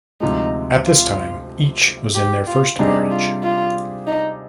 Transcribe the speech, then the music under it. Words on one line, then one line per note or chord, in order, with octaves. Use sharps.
At this time, each was in their first marriage.
D2 C3 F3 G#3 D#4
F4
G4
F4
C3 G3 D4 D#4 G#4
F4
F4
D#4